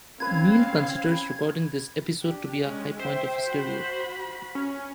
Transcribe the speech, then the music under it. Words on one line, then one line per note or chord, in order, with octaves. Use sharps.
Neill considers recording this episode to be a "high-point" of his career.
C4 C#4 B4 F5 B5 G#6
D4 G4
G#3 C#4
C5 E5 G5
F#4 B5
C#4